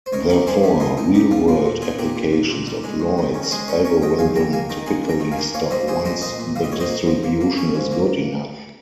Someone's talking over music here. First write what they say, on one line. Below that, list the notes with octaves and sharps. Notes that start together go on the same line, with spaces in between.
Therefore, real-world applications of Lloyd's algorithm typically stop once the distribution is good enough.
C5
D#4 A#4 C#5
D#4 G4 A#4
G3 G#4 C5
D#3 G4
D#4 F4 G#4
D#4 G4
D#4 G4
G3 F4
A#2 F4
A#2
A#2 F4 G#4
A#2 G4 A#4
A#2
A#2
A#2
G3
G#3
G2
D#3
C#4
A#4
G#3 G#4 C5
C#4 A#4 C#5
C#4 A#4 C#5
G2 D#5 G5
F2 F5 G#5
A#3 G5 A#5
A#3 F5 G#5
D#3 G5 A#5
D#4 G#5 C6
A#3
G5 A#5
D#3
F5 G#5
A#3
A#2 C#5 F5
G3 C5 D#5
A#2 G#4 C5
G3 C5 D#5
A#2 C5 D#5
A#2
G3 F5
D#5
A#2 C#5
C5 D#5
A#3
F3
A#3
A#3
C#4
G#2
A#3